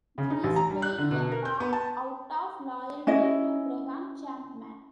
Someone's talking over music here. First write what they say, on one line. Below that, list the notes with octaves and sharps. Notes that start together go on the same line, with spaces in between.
Cleese played a part out of loyalty to Graham Chapman.
C#3
D#4
A1
A#5
G3
F#6
D3
B2
A#4
G6
B3
A5
C#4 E4 D#5